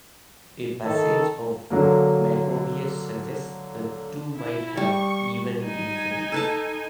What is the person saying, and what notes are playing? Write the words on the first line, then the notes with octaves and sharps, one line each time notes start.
A passage of Macrobius suggests the two might have even been friends.
D#3 A4
D3 F#3 A#3
E4
G3 C#6
D#4 G#5
A4 B4 A5